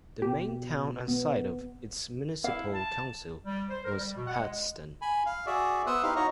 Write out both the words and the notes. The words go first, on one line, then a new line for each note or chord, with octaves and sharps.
The main town and site of its municipal council was Hadsten.
B2 G4
B3
E4 F5
A5
G3
C5
A#4
G3
B2
F#5
G#3
G#5 B5
F5
F#4 G#4 D5 E5
B3 C5 E5 D#6 E6 F#6
D#4 E4 G4 F5
D#4 F#4 C#5 D#5 A#5